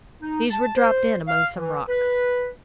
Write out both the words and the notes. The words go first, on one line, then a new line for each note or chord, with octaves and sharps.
These were dropped in among some rocks.
D#4
A5
C5
F5
E3
B4